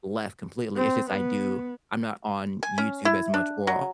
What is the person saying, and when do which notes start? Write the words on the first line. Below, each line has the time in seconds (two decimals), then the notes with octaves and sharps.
left completely, it's just I do I'm not on YouTube as much or o
0.76 C4
1.09 B3
2.63 G#5
2.78 C#4
3.05 E4
3.34 D4
3.67 F#3